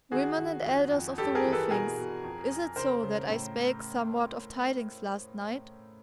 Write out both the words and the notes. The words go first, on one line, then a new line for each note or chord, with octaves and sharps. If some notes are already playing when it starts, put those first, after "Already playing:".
"Women and elders of the Wolfings, is it so that I spake somewhat of tidings last night?"
D#3 F#4 G#4
D#3
F2
F2
G2 G4 A4
G#4 A#4
E3
A4 B4
B2 G#4 A#4
B2
F2
F2
C#3 A#4 C5
C#3
A2